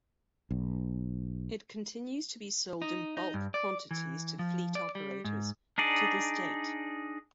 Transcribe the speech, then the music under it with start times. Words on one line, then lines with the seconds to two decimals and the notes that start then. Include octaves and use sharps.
It continues to be sold in bulk quantities to fleet operators, to this date.
0.51 B1
2.82 D#4
3.17 D#4
3.34 G2
3.54 D5
3.91 E3
4.39 F3
4.75 D5
4.95 G3
5.25 G#2
5.78 D4 D#4 G#4 D5